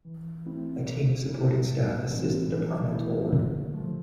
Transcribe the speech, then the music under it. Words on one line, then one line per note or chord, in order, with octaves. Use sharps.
A team of supporting staff assist the departmental work.
E3
A3 C4 E4
B2
A3 E4
A2
E3 G#3 C4
E3
A3 E4
D3
F3 A3